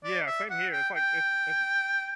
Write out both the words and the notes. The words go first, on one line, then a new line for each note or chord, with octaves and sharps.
Yeah, same here. It's like it's it's
D5
E5
F#5
G5
G5